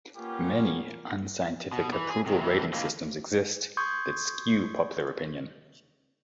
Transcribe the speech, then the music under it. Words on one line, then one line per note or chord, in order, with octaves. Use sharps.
Many unscientific approval rating systems exist that skew popular opinion.
A#3 B3 C#4 F4 G4
B2
E3
G#4
C3 D#3
C3 E3 A3
D3 A#3 E4 F4 G4 D#5
C6 C#6 D#6 G6 G#6